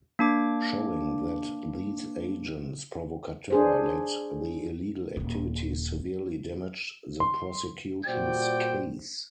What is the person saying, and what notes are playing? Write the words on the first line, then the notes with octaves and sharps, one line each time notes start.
Showing that these agents provocateur led the illegal activities severely damaged the prosecution's case.
A#3 D4 D6
D4 G#4 C5
D#1 G#1
C6
A#2 G3 F#4 C5 D5 G5